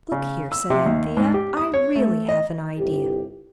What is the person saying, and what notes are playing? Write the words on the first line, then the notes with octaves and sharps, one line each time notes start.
'Look here,' said Anthea; 'I really have an idea.
C#3
E6
C3
D#2
G#2
G4
D#6
C#5
A3
D#5
G1 C2 G4